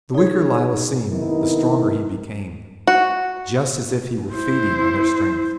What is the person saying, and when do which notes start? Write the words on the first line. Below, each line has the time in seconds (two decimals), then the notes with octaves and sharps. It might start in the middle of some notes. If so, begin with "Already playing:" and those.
The weaker Lilla seemed, the stronger he became, just as if he were feeding on her strength.
0.15 D#4 G#4 C#5
1.11 C3 D#3 B3 D#4 E4 A#4
2.87 F#4
4.34 E4 C5